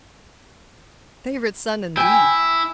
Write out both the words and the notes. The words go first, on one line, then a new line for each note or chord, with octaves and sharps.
Favorite son, indeed!
E4 G5 G#5